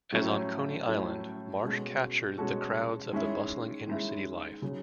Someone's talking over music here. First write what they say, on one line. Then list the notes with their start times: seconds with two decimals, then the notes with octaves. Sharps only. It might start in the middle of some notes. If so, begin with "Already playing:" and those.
As on Coney Island, Marsh captured the crowds of the bustling inner city life.
0.12 A2 F#3 A3 C#4
0.87 A2 F#3 A3 C#4
1.62 B2 G#3 C#4 F#4 A4
2.38 B2 G#3 C#4 F#4 A4
3.12 D#3 G#3 C#4 E4
3.88 D#3 G#3 C#4 E4
4.62 C#3 F#3 C#4